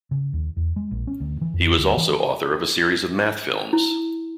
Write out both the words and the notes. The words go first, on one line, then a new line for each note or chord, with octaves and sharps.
He was also author of a series of math films.
C#3
D#2
E2
G#3
A#1
C#4
D2
E3
F2
D2
E3
E4